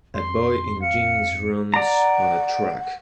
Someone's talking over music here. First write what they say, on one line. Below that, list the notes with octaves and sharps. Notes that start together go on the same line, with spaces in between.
A boy in jeans runs on a track.
F2 C6
F5 C#7
D5 F#5 A#5